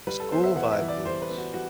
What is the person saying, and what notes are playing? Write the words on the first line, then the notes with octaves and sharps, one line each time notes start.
School-vibe looks?
G3 B4
A4
B3 C5
E5
E3 F#5
E5
E3
D5
G3 C5
B4
B3
F#4
G3 F#4